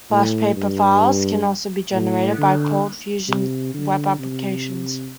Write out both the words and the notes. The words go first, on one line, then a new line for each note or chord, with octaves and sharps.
FlashPaper files can be also generated by ColdFusion web applications.
A2
G2
A2
D3
C3
D3
C3